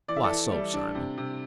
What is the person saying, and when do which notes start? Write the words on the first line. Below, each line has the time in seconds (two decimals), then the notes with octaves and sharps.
"Why so, Simon?"
0.08 E3 D5
0.16 E5
0.24 A4 D5
0.30 E3
0.52 G3
0.73 D4
0.95 C3
1.18 C3